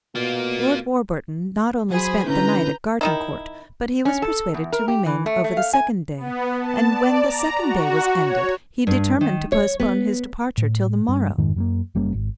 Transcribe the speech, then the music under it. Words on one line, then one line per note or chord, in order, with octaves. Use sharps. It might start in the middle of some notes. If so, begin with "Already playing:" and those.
Lord Warburton not only spent the night at Gardencourt, but he was persuaded to remain over the second day; and when the second day was ended he determined to postpone his departure till the morrow.
B2 A#3 F4
F#3 G#4 C5 B5
D3 C#4 E4 B4 A#5 G6
D#3 D#4 E4
C#4
A4
E2
A#4
G4
E3
A3
A3
F5
G#5
B3
A5
D5
A#5
F#4
C#5
G2
D#3
C#5
B3
A2
G2
F2 G#2 D#3 G#3
F#2 G3 A#3
F#1 G3 A#3 C#4
G#1